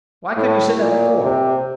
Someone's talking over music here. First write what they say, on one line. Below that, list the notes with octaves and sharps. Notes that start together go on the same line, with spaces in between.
Why couldn't you said that before?
A2
A#2
C3